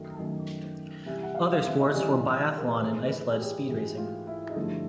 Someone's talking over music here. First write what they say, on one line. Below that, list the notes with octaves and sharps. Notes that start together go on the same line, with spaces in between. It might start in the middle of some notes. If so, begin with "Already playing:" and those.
Other sports were biathlon and ice sledge speed racing.
Already playing: F#2 D#3 F#3 A3
F#2 D#3 F#3 A3
C3 E3 G3 E5
F#5
F5
F5
E5
D#5
C3 E3 G3 D5
A#4
B4
G#2 E3 A3 C5
B4
G#4
G4
G#2 E3 A3 F#4
F4
E4
D#4
G2 D3 F3 A3 E4